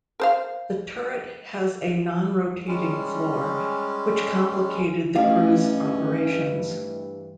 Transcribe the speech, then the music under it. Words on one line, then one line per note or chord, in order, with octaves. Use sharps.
The turret has a non-rotating floor, which complicated the crew's operations.
A#4 C5 F5
G3 G#3 C#4
G2 E3 A3 C#4 E4 D#5 F5